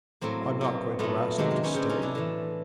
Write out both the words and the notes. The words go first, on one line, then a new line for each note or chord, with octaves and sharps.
I'm not going to ask you to stay.
A2 F#3 A#3 C4
B2 F#3
A#2 F#3 A3 B3
C3 D#3 F#3 G#3 A#3
A#3 C4
B3 C#4
C#3 F#3 C4 D4
C#4 D#4
D4 E4
A2 E3